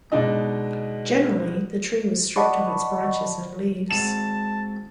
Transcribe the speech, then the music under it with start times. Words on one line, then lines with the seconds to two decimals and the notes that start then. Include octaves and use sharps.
Generally, the tree was stripped of its branches and leaves.
0.12 B2 G#3 D4 D#4 D#5
2.36 D5 D#5 F#5 A5 B5 C#6
3.91 G#3 C4 F#4 A5 E7